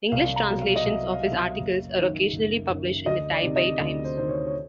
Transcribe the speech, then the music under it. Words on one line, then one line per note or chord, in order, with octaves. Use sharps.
English translations of his articles are occasionally published in the "Taipei Times".
C2 F5
A#5
B2 F#3
F5
D#5
C2 E5
F5
B2 F#3 E5
F#1
F#2 D#3
F#1
F#2 D#3
D2 D#5
D5
C3 D#3
D#5
D2
C5
C3 D#3 C5
C#5
C#5